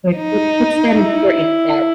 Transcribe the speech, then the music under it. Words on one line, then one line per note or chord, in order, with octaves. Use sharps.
Like, wh what's that important that
D#4
E4